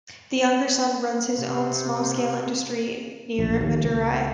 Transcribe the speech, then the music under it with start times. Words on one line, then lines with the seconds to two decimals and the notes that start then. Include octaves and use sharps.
The younger son runs his own small-scale industry near Madurai.
1.37 C3
3.39 A#1
3.61 D#2
3.83 C#2